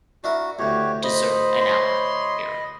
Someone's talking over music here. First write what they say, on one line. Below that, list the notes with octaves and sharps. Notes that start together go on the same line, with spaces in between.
deserve an hour, here
D4 E4 F#4 A#4
D2 A2 F#4 G4 C#5
C5 D#5 B5
C#5 C6